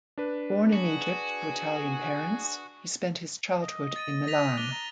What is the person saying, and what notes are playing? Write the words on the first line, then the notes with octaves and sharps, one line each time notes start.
Born in Egypt to Italian parents, he spent his childhood in Milan.
D4 B4
F#4 G#4
D#5
A6 D#7
A#6 B6 F7
D4 D#7 F7 G7
A#5